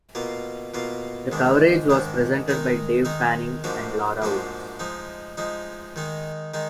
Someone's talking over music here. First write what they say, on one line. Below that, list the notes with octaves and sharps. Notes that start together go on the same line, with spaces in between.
The coverage was presented by Dave Fanning and Laura Woods.
B2 A#3 F4
B2 A#3 F4
G#2 D#3 G#3 D4
G#2 D#3 G#3 D4
D#3 G#3 D#4 A#4
D#3 G#3 D#4 A#4
G#2 F3 A#3 D4 F#4
G#2 F3 A#3 D4 F#4
F3 G#3 D#4
F3 G#3 D#4
D#3 G#3 D#4
D#3 G#3 D#4